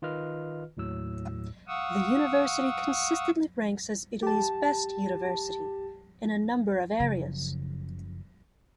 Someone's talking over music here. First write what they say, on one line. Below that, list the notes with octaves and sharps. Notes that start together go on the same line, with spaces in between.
The university consistently ranks as Italy's best university in a number of areas.
D#3 F4 B4 D#5 F6
D#2 A2 F#3 E6
F5 F#5 C#6 D#6 E6
G4 A5
F#1 C#3 F3 F#3